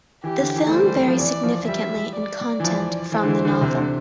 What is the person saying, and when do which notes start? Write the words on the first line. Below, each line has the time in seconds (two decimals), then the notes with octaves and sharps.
The film varies significantly in content from the novel.
0.24 E3 G4
0.39 D3
0.56 E3
0.67 A3
0.72 G3 C5
0.84 G3
0.96 G3
1.08 F3
1.20 E3 D5
1.43 F3
1.68 G3 E5
2.16 D5
2.60 E3
2.64 F3
3.12 E3 C5
3.23 D3
3.28 E3
3.45 D3
3.61 C3
3.77 D3